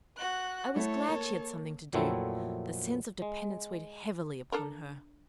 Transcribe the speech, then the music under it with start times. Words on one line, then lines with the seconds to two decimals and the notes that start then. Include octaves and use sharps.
I was glad she had something to do; the sense of dependence weighed heavily upon her.
0.18 F#4 F#6
0.76 A3 E4 A4 C#5
1.08 A#3
1.93 F2 A#2 F#3 A3 C4 E4
3.22 G#3
4.52 D4 A4 A#4